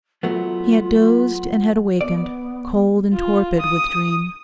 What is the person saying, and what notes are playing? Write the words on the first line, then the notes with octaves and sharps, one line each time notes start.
He had dozed and had awakened, cold and torpid with dream.
F#3 A3 B3 F4
B3 D5
F4
D#6